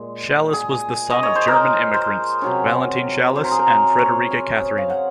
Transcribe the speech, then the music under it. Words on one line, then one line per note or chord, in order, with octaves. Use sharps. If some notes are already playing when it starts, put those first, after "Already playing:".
Shallus was the son of German immigrants, Valentine Schallus and Frederica Catherina.
Already playing: A#2 G#3
G#4
D#5
C#5
C5
A#4
C5
C3 F#3 C#4
C5
A#4
G#4
A#4
C5
C#5
G#5
F5
F#5